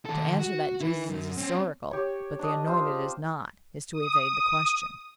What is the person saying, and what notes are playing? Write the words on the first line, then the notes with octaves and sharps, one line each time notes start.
To answer that Jesus is historical, but The Anointed is not, is to evade the question.
D#3 A4
F#4
E4 B4
F#2
C4 C#4
G4 C#5
D4 D#5
C4 F4 C5
D#6